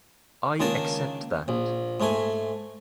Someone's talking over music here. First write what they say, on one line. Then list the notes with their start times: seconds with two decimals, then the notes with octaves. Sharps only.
I accept that.
0.59 C#2 D#3 A#3 D4 A5
1.48 A#1
2.00 G#2 A3 G#5